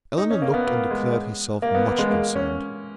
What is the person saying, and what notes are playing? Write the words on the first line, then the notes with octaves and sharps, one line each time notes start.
Eleanor looked and declared herself much concerned.
D#4
C#4
A#3
B3
A#3
G#3
A#3
B3
A#3
G#3
A#3
C#4